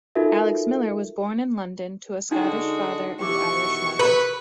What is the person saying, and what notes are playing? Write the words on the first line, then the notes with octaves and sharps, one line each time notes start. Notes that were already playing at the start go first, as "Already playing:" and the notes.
Alex Miller was born in London to a Scottish father and Irish mother.
D#4 F4 F#4 A4 A#4 E5
D3 G#3 D4 D#4 F#4 G5
B2 D#3 E3 G4 C#6 D6
A#4 B4 B5